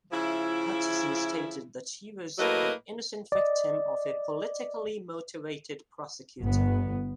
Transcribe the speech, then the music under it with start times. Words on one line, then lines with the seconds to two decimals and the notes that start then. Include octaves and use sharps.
Hutchison stated that she was the innocent victim of a politically motivated prosecutor.
0.12 C#3 F3 E4
2.39 A2 F#3 A#3 B4 D#5
3.32 D5 D#5
6.42 G1 B3